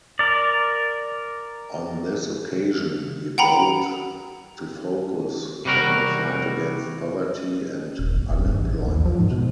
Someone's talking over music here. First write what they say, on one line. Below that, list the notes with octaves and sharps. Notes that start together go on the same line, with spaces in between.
On this occasion, he vowed to focus on the fight against poverty and unemployment.
A#4 D5
F#5 G5 A#5 B5
C3 G3 F#4 A#4
D#1
G1
D#1
G2
A1
A1
D#2
F3
G#2
B2